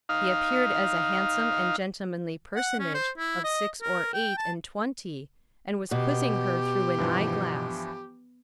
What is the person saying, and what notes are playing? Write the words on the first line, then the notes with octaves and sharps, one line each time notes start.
He appeared as a handsome and gentlemanly personage of six or eight and twenty, and was quizzing her through an eye-glass.
D#4 F5
F#5
C#4
C5
E4
D#5
A#4
G5
A5
B2 G4
G2 E3 F3